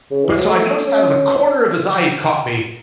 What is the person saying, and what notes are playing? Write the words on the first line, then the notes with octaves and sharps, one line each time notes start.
but, so, I noticed out of the corner of his eye, he caught me,
C#3
E3
F#3
A3
C#4